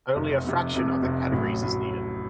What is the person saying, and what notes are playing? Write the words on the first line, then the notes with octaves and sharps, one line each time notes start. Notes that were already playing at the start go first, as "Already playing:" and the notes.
Only a fraction of the categories is needed.
F1 F2 C3
F1 F2 C3
F1 F2 C3
F1 F2 C3
A1 A2 F#3
A2 F#3